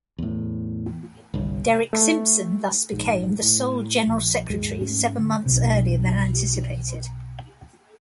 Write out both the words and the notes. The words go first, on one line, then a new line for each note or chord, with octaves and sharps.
Derek Simpson thus became the sole General Secretary seven months earlier than anticipated.
E2 A2
G1 C2
A3
A#1 G#2
A2
A#1
D#2 G#2 G#3
G#2 G#3 A3 C#4
D3
B1 C3